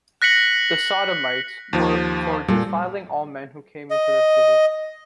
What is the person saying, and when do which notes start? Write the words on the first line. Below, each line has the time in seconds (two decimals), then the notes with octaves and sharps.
The Sodomites were for defiling all men who came into their city.
0.22 F#6 A#6 B6 C#7 F#7
1.73 D#2 F3
2.48 A#2 G3 A4
3.91 D#5